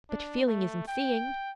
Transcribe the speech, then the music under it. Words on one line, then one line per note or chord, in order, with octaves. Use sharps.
But feeling isn't seeing.
D4
A3
G5